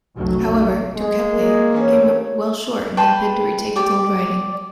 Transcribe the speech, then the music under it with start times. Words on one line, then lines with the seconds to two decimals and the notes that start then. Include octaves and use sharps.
However, Duceppe came up well short in his bid to retake his old riding.
0.16 F1 B1 F#3 A3
0.97 G#3
1.33 A#3
1.72 G2 E3 C#4
2.97 B4 G5 A5 C6
3.76 G4 D5